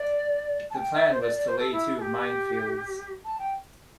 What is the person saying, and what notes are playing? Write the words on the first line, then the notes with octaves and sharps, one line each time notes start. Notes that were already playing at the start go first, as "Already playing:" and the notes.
The plan was to lay two minefields.
Already playing: D5
A5
G5
E5
C5
D5
D5
C5
A4
E4
A4
G4
A5
G5